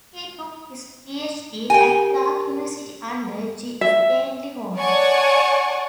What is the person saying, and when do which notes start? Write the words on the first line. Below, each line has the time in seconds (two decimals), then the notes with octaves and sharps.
He took his Ph.D. at Clark University under G. Stanley Hall.
1.70 G4 A#4 G5 G#5
3.81 E5
4.77 C#5 D5 F#5 G#5 A5 C#6